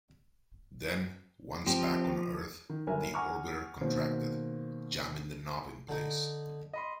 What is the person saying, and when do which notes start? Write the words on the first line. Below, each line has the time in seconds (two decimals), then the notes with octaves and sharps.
Then, once back on Earth, the Orbiter contracted, jamming the knob in place.
1.67 F3 C4 G4
2.69 D#3
2.87 G1 F#3 A#4 E5 G#5
3.14 F#5 G#5 A#5 C#6 D6 F6
3.81 B2 D#3 A#3 C4
5.89 D3 D#4
6.73 D#5 B5 C6